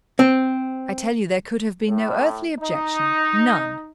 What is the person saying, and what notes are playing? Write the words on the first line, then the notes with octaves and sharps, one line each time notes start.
I tell you there could have been no earthly objection--none.
C4
A2
D#4